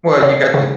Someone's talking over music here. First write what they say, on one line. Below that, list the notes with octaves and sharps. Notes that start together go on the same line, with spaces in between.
Well, you got the
C#3 C#5
C#3